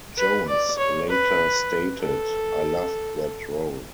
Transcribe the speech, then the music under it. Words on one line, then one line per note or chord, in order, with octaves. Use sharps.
Jones later stated, I loved that role.
B4
D5
C#5
B4
A4